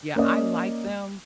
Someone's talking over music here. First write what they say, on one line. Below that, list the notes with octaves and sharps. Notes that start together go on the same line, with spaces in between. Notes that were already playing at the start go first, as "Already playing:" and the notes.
Yeah, I like them,
A#3 C#4 D5 D#5